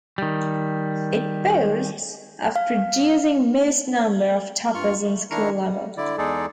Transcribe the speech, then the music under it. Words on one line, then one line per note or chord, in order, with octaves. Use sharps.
It boasts of producing most number of toppers in School level.
D#3 G3
F5
G2 F4 C#6 F6
A3
D#3 D4 E4 A#5 C#6 F6
G3
D3 E4 D5
E2 G#3 D#4 G#4 A4 D5